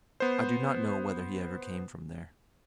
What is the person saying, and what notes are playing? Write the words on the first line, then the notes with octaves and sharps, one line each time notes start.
I do not know whether he ever came from there.
B3 C5